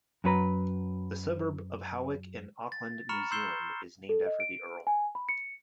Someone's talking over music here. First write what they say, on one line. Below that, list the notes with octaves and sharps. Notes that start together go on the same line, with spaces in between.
The suburb of Howick in Auckland, New Zealand, is named after the earl.
F#2 F#3 B4 A#5
A6
A#5 B5 C#6 F6 C#7 E7
C6 E6 G6 C7 E7 G7
A4
D#5
D7
G#5
B5
C#7